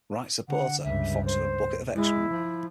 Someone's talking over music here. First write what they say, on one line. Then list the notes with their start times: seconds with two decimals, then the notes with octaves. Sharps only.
Right Supporter a fox with a bucket of excrement.
0.49 D3 F#5
0.84 C#2 G2 E5
1.25 C5
1.95 G#3 E4
2.30 F3